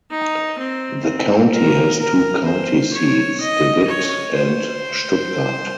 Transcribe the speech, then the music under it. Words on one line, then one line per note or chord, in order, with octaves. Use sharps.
The county has two county seats, De Witt and Stuttgart.
D#4
C4
C4
A#4
A#4
C5
C#5
D#5
C#5
C5